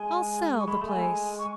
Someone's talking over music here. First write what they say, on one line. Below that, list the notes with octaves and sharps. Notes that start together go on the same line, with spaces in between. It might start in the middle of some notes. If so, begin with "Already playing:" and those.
"I'll sell the place."
Already playing: G#3 G#5
C#6
G#3 B5
A3
G#5
G#3
C#6